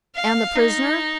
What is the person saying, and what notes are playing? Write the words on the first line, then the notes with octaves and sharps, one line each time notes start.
"And the prisoner?"
F5
D#4